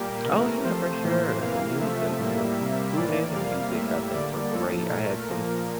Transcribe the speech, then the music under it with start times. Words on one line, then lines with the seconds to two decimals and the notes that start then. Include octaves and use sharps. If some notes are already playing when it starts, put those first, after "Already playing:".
Oh, yeah, for sure, the musi the the food and the music, I think, were great, I had some
Already playing: A#2 G3 A#3 G4
0.25 C3 E3 A3 A#4
0.64 C3 F3 A3 C5
1.02 A2 E3 A#3 C5
1.41 C3 E3 A#3 F5
1.80 C3 F3 A3 E5
2.19 A2 G3 A#3
2.57 C3 G3 A#3
2.97 A2 E3 A#3 D5
3.35 C3 G3 A#3 F5
3.74 A2 G3 A#3 E5
4.12 D3 G3 A#3 D5
4.51 A2 F3 A#3 A4
4.90 A#2 A3 A#4
5.29 A#2 F3 A#3